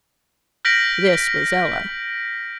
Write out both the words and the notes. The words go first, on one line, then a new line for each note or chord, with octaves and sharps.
This was Ella.
F6 G6 A#6 B6 D7 F#7